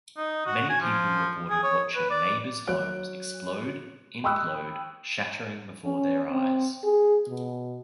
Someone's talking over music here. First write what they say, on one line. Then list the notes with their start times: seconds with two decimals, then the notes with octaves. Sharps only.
Many people reported watching neighbors' homes explode, implode, shattering before their eyes.
0.17 D#4
0.46 F#4
0.69 G#5
0.81 F3
1.50 G#4
1.63 C#5
1.95 B4
2.11 D5
2.67 F#3 C#5 F#6 D7
4.24 G5 B5 C#6 D#6 E6 F#6
5.85 C#4
6.31 C4
6.84 G#4
7.28 B2